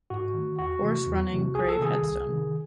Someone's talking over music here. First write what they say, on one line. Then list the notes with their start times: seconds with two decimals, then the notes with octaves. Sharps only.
Horse running, grave headstone.
0.10 G#2 F#4
0.34 D#3 A3
0.59 E2 F#4
0.82 C3 E3 A3
1.06 E2
1.30 C3 E3 A3
1.55 C2 G#4
1.69 A4
1.79 C3 D#3 G#4
2.03 C2
2.28 C3 D#3